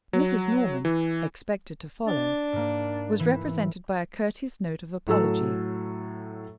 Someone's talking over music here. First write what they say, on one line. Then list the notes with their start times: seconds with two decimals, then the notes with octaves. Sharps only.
Mrs. Norman, expected to follow, was represented by a courteous note of apology.
0.13 F#3
0.85 E3
2.07 D4
2.53 G#2 A#3
3.20 E3 E4
5.07 A2 F#3 A4 E6